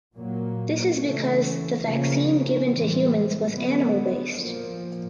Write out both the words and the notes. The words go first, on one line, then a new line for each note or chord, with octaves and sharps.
This is because the vaccine given to humans was animal based.
A#2 F#3 A#3
C#3 E3 A3 C#4
C#3 F3 A#3 C#4
A2 E3 G3 C4
D3 F#3 B3
A#2 F3 A#3